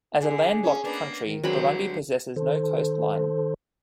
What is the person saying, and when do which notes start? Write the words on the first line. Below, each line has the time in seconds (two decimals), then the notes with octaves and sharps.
As a landlocked country, Burundi possesses no coastline.
0.21 D3 G#4
0.64 C#4
0.84 A#3 B3 D4
1.26 D#3
1.44 G2 D3 F#3 G#3 C4 B5
2.36 D#3 A4 C5